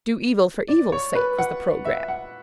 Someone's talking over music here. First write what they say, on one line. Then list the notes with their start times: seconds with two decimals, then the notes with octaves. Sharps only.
Do evil for evil's sake was the programme.
0.68 D5
0.92 C#5
1.15 B4
1.38 F#5
1.85 E5
2.08 F#5